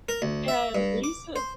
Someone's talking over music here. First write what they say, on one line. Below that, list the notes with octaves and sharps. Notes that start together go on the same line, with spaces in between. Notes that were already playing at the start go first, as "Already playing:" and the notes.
And recent
A#4
D2
E5
G2
D6
C5